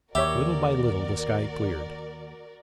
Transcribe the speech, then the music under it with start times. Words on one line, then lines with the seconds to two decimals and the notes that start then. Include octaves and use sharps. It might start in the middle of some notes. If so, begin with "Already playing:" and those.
Little by little the sky cleared.
0.15 D#2 F#4 G4 A#4 C#5 D5 E5